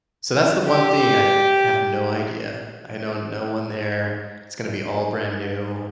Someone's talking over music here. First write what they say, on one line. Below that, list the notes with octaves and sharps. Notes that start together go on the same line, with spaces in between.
So, that's the one thing I have no idea. I know no one there, it's gonna be all brand new.
G4